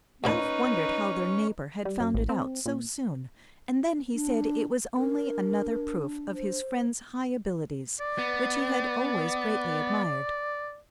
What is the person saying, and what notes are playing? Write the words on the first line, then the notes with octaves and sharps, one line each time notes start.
Ralph wondered how their neighbour had found it out so soon; and then he said it was only another proof of his friend's high abilities, which he had always greatly admired.
D2 A#2 C#4 D#4 B4 B5
G3
F#2
A1
C4
A#2
D4
D4 A#4
C5
D5
B3